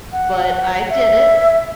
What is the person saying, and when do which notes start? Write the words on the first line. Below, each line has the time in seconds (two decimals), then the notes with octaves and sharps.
but I did it.
0.12 F#5
0.90 E5